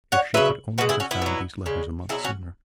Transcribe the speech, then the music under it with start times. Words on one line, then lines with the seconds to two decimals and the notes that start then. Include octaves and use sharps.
If she could only have found these letters a month sooner!
0.12 C#5 F#5
0.34 C#3 F#3 B4 E5
0.78 B2 G#3 F#4 B4
0.89 E4 G#4
1.00 C#4 F#4
1.11 B3 E4
1.22 B2 F#3
1.66 C#3 G#3
2.09 B2 F#3 E4 G#4
2.24 C#4 F#4